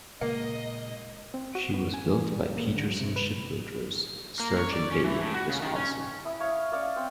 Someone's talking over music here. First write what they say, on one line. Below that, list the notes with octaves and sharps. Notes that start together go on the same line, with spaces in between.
She was built by Peterson Shipbuilders, Sturgeon Bay, Wisconsin.
A#2 C#3 G#3 A#3 D#5
C4
F#4
B3
G#5
E3
G3
A#3
D3
F#3
C3
B4
A#3
C#5
D5
C#4
E3
A2
F#4
C#3
D#3
C#4
E4 D#6
C#5 F5
C#4 D5 F5
C4 G5